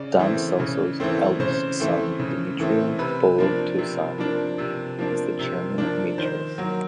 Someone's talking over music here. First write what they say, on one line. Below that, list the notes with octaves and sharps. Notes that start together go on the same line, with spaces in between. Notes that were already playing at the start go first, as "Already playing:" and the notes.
Don Celso's eldest son Demetrio "Bolo" Tuason is the Chairman Emeritus.
Already playing: C#3 D5
E3 A3 C4
C#3
E3 A3 C4
C#3 C5
E3 A3 C4
C#3
E3 A3 C4
C3 B4
F3 A#3 D4
C3
F3 A#3 D4
C3
F3 A#3 D4
C3
F3 A#3 D4
D#3 C5
F#3 A#3